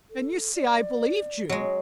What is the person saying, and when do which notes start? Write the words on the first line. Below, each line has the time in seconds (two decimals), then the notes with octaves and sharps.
And you see I believed you.
0.10 A4
0.55 D5
1.50 F#3 G#3 D#5